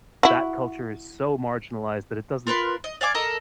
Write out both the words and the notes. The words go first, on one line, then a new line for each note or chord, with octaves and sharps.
that culture is so marginalized that it doesn't
E4 F#4
F4 A#4 B4 C6
D#5
D5 F5 G#5 D6
A4 A#4 D#5 A#5